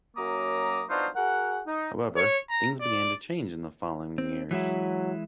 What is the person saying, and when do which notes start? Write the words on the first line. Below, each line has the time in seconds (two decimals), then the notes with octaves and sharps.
However, things began to change in the following years.
0.17 F#2 F#3 A#3 A#5 D6 D#6
0.89 B3 D4 D#4 F4 F#4 C5
1.16 F#4 G#4 A#4 F#5
1.67 D#4
2.17 C#5
2.50 A#5
2.81 D5
4.18 C4
4.51 E3 F#3 G#3 E4